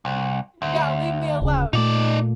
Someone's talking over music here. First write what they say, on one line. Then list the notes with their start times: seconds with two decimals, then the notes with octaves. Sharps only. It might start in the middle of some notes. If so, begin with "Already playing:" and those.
Yeah, leave me alone.
0.05 C2
0.62 D2
1.41 D1 C#3
1.73 A#2 A3 D#4 D5